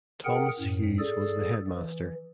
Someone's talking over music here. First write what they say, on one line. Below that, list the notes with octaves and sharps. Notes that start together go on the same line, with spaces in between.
Thomas Hughes was the headmaster.
G#4 A#4 F#5 G5
F#2 A2
G#4 A4 D5
E3